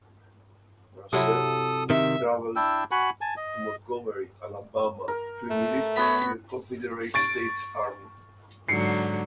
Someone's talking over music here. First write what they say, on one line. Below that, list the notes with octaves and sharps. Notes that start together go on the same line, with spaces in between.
Rosser traveled to Montgomery, Alabama, to enlist in the Confederate States Army.
C3 F#3 E4 A4 D#6
C3 D#3 E5
D4 E4 G5 E6
F#4 F#5 G#5 B5
G#5 A5
D#5
A#4
A3
B3 F#4 C#5 B6
C#6 A6 D7
G#2 D3 F#3 C7 C#7